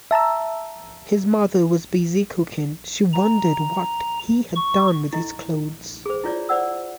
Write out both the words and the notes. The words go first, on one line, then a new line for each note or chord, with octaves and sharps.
His mother was busy cooking; she wondered what he had done with his clothes.
E5 A5 A#5 E6
A#5
C#6
E4 D#5
G#4 C5
E4 F4 C#5 D5
C5 D5 F#5 E6